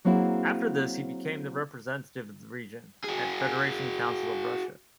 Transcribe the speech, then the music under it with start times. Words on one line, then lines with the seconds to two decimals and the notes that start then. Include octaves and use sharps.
After this he became the representative of the region at Federation Council of Russia.
0.05 F#3 A#3 C4 E4 F#4 G#4
3.04 F#4 G#4